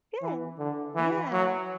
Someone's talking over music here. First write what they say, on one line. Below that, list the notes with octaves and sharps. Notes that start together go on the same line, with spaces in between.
Good. Yeah,
E3
D3
E3
F#3